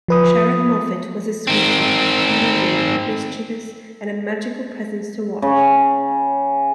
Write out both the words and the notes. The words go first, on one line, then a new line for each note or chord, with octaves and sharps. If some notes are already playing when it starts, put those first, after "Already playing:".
Sharyn Moffett was a sweetie; moving, mischievous and a magical presence to watch.
F3 B4 D#6
D#3 C4
C#3